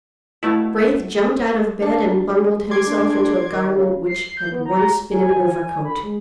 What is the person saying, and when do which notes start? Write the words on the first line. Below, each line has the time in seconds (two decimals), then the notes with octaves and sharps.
Braith jumped out of bed and bundled himself into a garment which had once been an overcoat.
0.43 B2 A3 B3 E4 F5
1.82 D4
2.71 C6 D6 G#6
2.87 D4
3.52 D#3
3.76 C#3
4.06 C7
4.37 G6
4.52 B3
4.66 A#5
5.11 G#5
5.85 B5
6.03 G#3